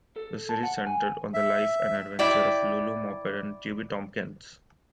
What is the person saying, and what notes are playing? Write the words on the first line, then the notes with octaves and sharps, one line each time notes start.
The series centered on the life and adventures of Lulu Moppet and Tubby Tompkins.
A4
A5
F#5
G#5
E5
E4 D5 G5